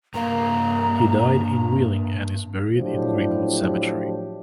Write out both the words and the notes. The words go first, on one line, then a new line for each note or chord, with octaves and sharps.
He died in Wheeling and is buried in Greenwood Cemetery.
G2 A#3 A#4 F5 A#5
A2 F3 F#3 D4 E4 G4